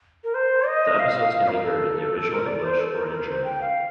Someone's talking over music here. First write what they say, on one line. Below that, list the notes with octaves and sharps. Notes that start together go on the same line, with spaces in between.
The episodes can be heard in the original English, or in German.
A#4
C5
D#5
F5
F5
F5
A#4
A4
A#4
D5
C5
A4
A#4
A#4
C5
G5
F5